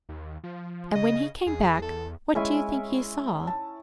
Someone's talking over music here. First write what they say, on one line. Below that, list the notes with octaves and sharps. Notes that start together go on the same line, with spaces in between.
And when he came back, what do you think he saw?
D#2
F3
C#3 D#5
E2 G#4
A4
G#3 C#4 E4 G#5
A5